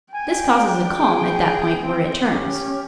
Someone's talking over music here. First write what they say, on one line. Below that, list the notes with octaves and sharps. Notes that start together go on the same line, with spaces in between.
This causes a calm at that point where it turns.
G5 G#5
D4
G#4
C4
C#4 G4